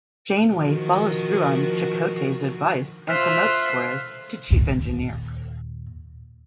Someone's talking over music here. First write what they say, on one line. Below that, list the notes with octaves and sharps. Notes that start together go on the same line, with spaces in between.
Janeway follows through on Chakotay's advice and promotes Torres to Chief Engineer.
D#3 F3 F#4
F4 C5 E5 F6 F#6
D#2 A#2